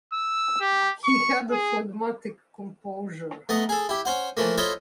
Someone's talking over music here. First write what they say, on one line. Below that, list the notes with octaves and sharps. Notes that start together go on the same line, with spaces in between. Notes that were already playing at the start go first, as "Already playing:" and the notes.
He had a phlegmatic composure.
E6
G4
C#6
G#4
A3 B3 D#5
G#4 A4
E4 G4
C#4 C5 F#5
E3 F3 A3 A#3
E4 F4 A4 C5 C#5 D#5